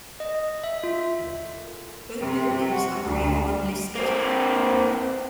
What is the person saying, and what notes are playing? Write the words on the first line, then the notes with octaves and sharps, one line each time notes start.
Both buildings are Grade One listed.
D#5
E5
F4
C3
F#4
D2
A#3 C4